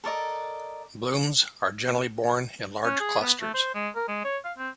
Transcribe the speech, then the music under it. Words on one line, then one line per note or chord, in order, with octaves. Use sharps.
Blooms are generally borne in large clusters.
A4 A#4 D5 D#5
C#4
G#4
B3
A3
C5
G#3
A#4
G#3
C#5
F5
C4